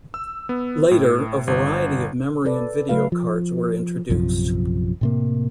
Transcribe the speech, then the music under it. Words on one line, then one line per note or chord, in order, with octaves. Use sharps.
Later, a variety of memory and video cards were introduced.
E6
B3
A2
G1
A4 B4 D5
C#3 F#3 A3 F#4 B4 F5
F3
A#1 F#2 C3 F3
A2 C3 A#3